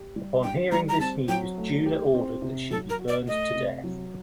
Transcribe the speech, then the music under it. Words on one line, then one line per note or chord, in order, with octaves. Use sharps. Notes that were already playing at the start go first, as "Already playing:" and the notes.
Upon hearing this news, Judah ordered that she be burned to death.
Already playing: G4
G3
D4 G5
G3 A#5
A#5
C4 A5
F#3 G5
A3
G4
C4
C3
F#3 A4
A#4
F#4
D5
A3 D#5
C3
F#3